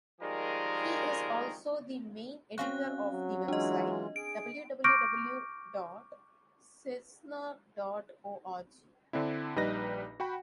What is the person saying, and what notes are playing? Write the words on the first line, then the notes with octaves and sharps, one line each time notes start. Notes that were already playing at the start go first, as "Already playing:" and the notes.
He is also the main editor of the website www dot cesnur dot org.
D#3 F3 G3 G#3 G#4 A#4
C4 C#4 F#4 F5 F#6
F#3
E3 G#3 D4 F4 D#5
G#4 D7
C#6 D6 F6 G6 A#6 D7
D3 C4 D4 E4
A#1 G3 D#4 B4 D#5 A#6
F#4 F#5 G5 B5